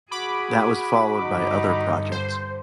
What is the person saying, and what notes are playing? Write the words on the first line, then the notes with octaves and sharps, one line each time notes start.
That was followed by other projects.
F#4 G#4 B5 D6
G2 D3 D#4
C5